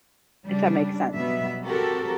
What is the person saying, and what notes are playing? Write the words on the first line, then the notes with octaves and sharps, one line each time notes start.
if that makes sen
C#3 G3 D4
B2 F#3 G3 B3 E5
C4 F#4 G4 A4 A#4